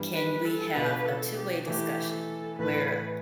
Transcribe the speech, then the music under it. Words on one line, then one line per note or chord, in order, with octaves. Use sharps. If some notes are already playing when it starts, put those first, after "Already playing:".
can we have a two-way discussion where
Already playing: G2 E3 G3 B3
B4
A4
B2 B3 D4 F4 B4
A4
G4
E3 A3 E4 G4
A4
A2 E3 A3 B4